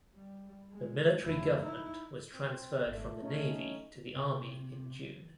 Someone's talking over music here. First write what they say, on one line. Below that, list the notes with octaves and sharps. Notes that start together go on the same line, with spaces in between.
The military government was transferred from the navy to the army in June.
G3
G#3
F1 E4
D#4 E4
C4
G#1 A3
C#4 D#4
C3